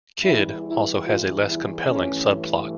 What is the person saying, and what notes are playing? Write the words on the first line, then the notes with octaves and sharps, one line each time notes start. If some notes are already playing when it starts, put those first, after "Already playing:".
"Kid" also has a less compelling subplot.
E2 E3 G3 E4
E4
F4
E4
G2 E3 A3 C#4